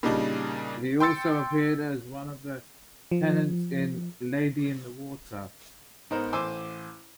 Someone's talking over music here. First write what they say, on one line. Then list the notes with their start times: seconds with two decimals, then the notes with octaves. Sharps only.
He also appeared as one of the tenants in "Lady in the Water".
0.03 A#2 C#3 G3 D4 D#4
1.00 G5 C6 E6 A6 C#7
3.12 F3
6.11 G#2 B3 D#4 A#4 C5
6.33 A1 C5 G#5 C6 D6 E6